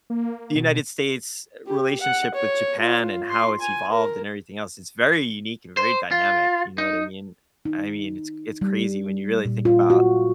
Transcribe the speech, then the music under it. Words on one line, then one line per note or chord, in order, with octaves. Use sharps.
the United States' relationship with Japan, and how it's evolved, and everything else, it's very unique, and very dynamic, you know what I mean? I mean, it's it's crazy when you really think about
A#3
B2
G4
F#5
C#5
F4
C6
G#5
A#4
C5
F4
D#4
D#4
G3
A#2
F4
F#4